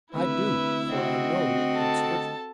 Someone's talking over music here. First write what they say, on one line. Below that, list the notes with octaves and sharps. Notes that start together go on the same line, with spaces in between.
"I do, for I know its virtue."
D2 C3 E4 B4 E5
C4 F#4 D#5
A4 A5